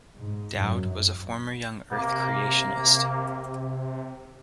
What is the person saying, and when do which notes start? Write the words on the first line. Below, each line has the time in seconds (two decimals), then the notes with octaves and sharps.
Dowd was a former young earth creationist.
0.17 G#2
0.58 F#2
1.92 C3 A#3